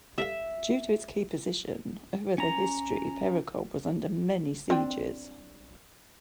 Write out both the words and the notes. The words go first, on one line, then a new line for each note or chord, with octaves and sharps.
Due to its key position, over the history Perekop was under many sieges.
G2 A4 E5 F5
C#4 A#5
C4 D4 G5